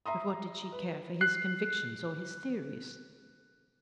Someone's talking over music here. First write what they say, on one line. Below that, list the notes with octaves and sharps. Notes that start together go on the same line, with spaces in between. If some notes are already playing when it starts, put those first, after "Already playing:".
But what did she care for his convictions or his theories?
E5 A#5 C6 D#6
B4
F#6 C7